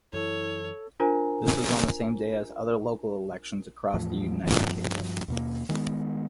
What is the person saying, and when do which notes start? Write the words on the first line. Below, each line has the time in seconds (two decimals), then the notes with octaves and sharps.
This was on the same day as other local elections across the United Kingdom.
0.13 F#2 E3 E4 A4 C#5
1.00 D4 F4 A#4 C5 G#5 A#5
3.94 E2 A2 F3
4.44 G2 F3
5.28 D#2 B2 A#3
5.69 D#3 G#3 A#3 B3